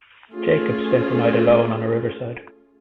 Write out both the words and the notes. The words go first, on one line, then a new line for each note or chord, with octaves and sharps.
Jacob spent the night alone on a riverside.
A3 C#4 F4 G#4